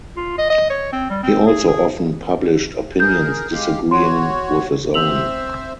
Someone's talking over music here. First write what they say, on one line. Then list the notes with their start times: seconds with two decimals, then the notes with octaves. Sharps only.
He also often published opinions disagreeing with his own.
0.16 F4
0.38 D#5
0.50 D#5
0.70 C#5
0.93 C4
1.10 G3
1.23 C4
1.47 G#4
1.68 G#4
3.00 G#4 A#4 G6
3.51 G#3 G4 F5
3.91 F#4 C#5 C6
4.94 C4 C5 E5 E6 F7 F#7